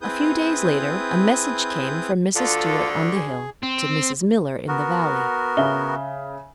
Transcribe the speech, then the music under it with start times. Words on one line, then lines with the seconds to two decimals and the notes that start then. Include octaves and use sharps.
A few days later a message came from Mrs. Stuart on the hill to Mrs. Miller in the valley.
0.01 C4 E4 G#4 B4 D#6 G6
2.35 D2 G2 D3 F4 A4
3.15 G#4
3.63 C4
4.68 B3 F#4 A#4
5.57 C#3 E5 G7